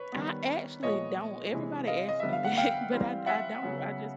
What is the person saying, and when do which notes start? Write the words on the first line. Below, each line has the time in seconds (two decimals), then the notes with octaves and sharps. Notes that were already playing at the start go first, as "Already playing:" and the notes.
I actually don't. Everybody asks me that, but I I don't. I just
Already playing: B4 C#5
0.12 D#3 G3 B3
0.83 A#2 F3 G#3 B3 C#5 D#5
1.53 C3 E3 G#3
1.87 D#5 F5
2.09 D#5
2.20 D3 G3 B3 E5
2.33 F5
2.45 F#5
2.57 F5 G5
2.92 E3 G3 C4
3.26 E5 F#5
3.62 C#3 F#3 B3